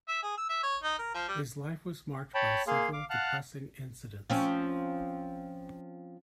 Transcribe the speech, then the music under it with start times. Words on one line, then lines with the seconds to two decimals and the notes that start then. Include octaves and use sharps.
His life was marked by several depressing incidents.
0.08 E5
0.23 G#4
0.38 E6
0.49 E5
0.63 C#5
0.83 D#4
0.99 A#4
1.15 F3
1.28 G3
2.35 C#5 G5 A5 B5
2.67 A#3 G#4 F5 C6
2.93 F5 D6
3.10 F5 F#5 A5 F6 F#6
4.30 F3 C4 C#4